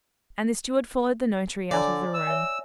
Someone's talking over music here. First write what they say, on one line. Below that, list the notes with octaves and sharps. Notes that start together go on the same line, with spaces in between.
And the steward followed the notary out of the room.
D3 C#5 D5 G#5 A#5
E6
C#5 E5 G#5